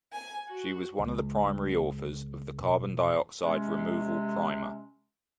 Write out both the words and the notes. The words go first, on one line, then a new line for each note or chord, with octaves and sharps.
She was one of the primary authors of the Carbon Dioxide Removal Primer.
G#5
F#4
C#2
E1
C3 G#3 C#4